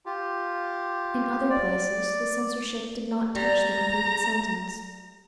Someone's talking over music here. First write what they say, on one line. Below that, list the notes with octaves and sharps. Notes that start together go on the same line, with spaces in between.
In other places the censorship did not touch the completed sentence.
F4 G4
D5
G3 A#5